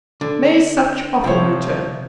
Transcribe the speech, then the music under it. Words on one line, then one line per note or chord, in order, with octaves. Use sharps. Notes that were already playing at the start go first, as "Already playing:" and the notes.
May such often return.
D3
C3 F3 C4 E4 C#5